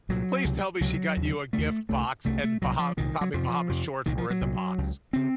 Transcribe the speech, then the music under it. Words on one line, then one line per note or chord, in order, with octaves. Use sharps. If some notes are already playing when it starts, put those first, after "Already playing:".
Please tell me she got you a gift box, and Baha Tommy Bahamas shorts were in the box.
C2 A#2 F#3
C#2 C3
C#2 C3 F#3
D#2
C#3
D#2 C#3 A3
C2 C3 A3
C2 C3 A3
A3
C2 A#2 F#3
F3
C2 A#2 D#3
F#3
F2 C3 F3
F2 C3
C2 A#2 D#3
F3
F#3
C2 A#2
C#2 C#3
C#3 C4